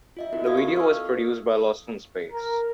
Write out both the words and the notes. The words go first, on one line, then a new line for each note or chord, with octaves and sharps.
The video was produced by Lost in Space.
F4 D#5 E5
C4 E4 F#4 A#4
A4 F5 D#6 G#6
C#6
E6 F6
A#4